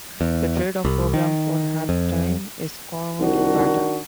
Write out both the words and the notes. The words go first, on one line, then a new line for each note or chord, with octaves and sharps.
The trade of program for airtime is called barter.
E2
C2
D#3
F2
C2 D#3 D4 F#4